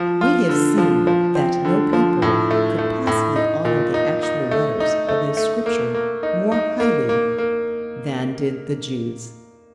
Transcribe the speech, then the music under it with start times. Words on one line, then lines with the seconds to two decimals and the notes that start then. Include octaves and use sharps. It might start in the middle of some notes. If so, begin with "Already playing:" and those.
We have seen that no people could possibly honour the actual letters of the Scripture more highly than did the Jews.
Already playing: F3
0.21 F4
0.49 D3
0.78 F3
1.07 F3
1.35 C4
1.65 D3
1.93 F3
2.22 A2
2.51 A3
2.78 A3
3.07 A2
3.36 D#4
3.65 A#2
3.94 D#4
4.23 D#4
4.51 A3
4.80 D#4
5.08 A3
5.37 A3
5.66 A#3
5.94 A#3
6.23 D#4
6.52 D#4
6.80 A#3
7.09 A#3
7.38 A#3